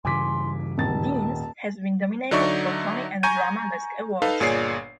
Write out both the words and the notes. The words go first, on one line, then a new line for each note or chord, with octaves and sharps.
Deans has been nominated for Tony and Drama Desk Awards.
G2 C#3 E3 G#5 C6 D6 B6
D#1 G#1 A5 A6
D3 F#3 D#4 D5 E5 C#6
G#5 A#5 C#6 G6 G#6 D#7
D#4 A4 B4 F5
G1 A#2 G#4 C#5 D5 C7